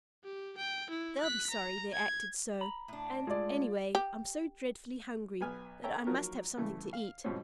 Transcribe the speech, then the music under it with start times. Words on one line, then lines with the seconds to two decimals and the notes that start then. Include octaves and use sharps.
They'll be sorry they acted so, and, any way, I'm so dreadfully hungry that I must have something to eat!
0.24 G4
0.57 G5
0.90 E4
1.20 F#6 B6
1.50 A#5
1.93 G#6
2.61 A#5 B5
2.88 A2 D4
3.27 G#3 A3 F4 G#4 D5
3.95 G4
5.41 B1 B3 G#5 F6
5.84 A4 C#5 E5 G5 G#5 A#5
6.07 F3 F#3 A#3 D#4 F#4 A#4
6.58 G2 C#3 E3 A3
6.93 F5
7.24 G#2 B2 F3 G3 C4 C#4